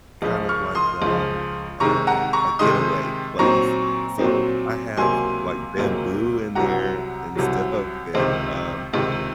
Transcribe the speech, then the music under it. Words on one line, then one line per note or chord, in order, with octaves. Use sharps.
kind of like, um a a getaway place. So, I have like bamboo in there and stuff and, um,
C#2 C#3 F3
C#6 F6
C6 D#6
C#2 C#3 F3
C3 D#3 G#3 D#4 A#5 C#6
F#5 A#5
A#5 C#6
C3 D#3 G#3 D#4 C6 D#6
A#2 F#3 C4 D#4 A#5 C#6
A#2 F#3 C4 D#4
C#2 C3 F#3 A#3 G#5 C6
C#2 C3 F#3 A#3
C2 C3 F#3 F#5 A#5
C2 C3 F#3
C#2 C3 D#3 C5
C#2 C3 D#3